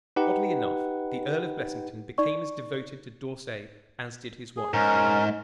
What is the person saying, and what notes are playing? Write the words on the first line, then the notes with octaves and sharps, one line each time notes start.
Oddly enough, the Earl of Blessington became as devoted to D'Orsay as did his wife.
D#4 G4 B4 F#5
D#4 D5 C#6
G#4
G#2 C#4 A#4